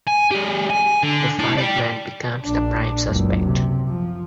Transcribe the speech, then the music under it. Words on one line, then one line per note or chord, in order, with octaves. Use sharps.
The fired man becomes the prime suspect.
G#5
G#3 G4
G#5
D3
E4 A5
D5 G5
A#1 D4
F#1 C#2
C3
F3